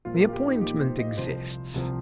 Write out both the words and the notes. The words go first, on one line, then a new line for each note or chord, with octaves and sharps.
The appointment exists.
A#1 A#2 A#3 F4
A#4
G4
F4
G4
D#4
A#1 A#2 A#3 G4
C5
D#5
C2 C3 F3 C5
C2 C3 F3